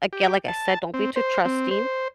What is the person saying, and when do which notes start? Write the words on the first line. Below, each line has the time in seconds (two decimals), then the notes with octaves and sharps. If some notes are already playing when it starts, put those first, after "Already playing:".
again, like I said, don't be too trusting,
0.13 G4
0.48 A5
0.94 C4
1.16 C5
1.45 C4
1.71 C5